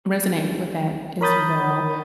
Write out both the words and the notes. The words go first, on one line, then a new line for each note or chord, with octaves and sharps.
resonate with that as well.
A#4 C#5 B5 D#6 G6 A6